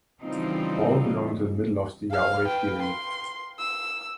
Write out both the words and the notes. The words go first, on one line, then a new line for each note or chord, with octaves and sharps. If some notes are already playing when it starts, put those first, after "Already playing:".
All belong to the middle of the Yayoi period.
C#3 E3 F3 G3 C4 D#4
F5 F6
B4 G5
C6
E6